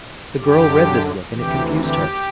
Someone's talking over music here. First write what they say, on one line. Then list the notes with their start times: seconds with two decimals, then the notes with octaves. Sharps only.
The girl read this look and it confused her.
0.37 F#2 D3 G4
1.30 D2 C3 E3 G4
1.76 G4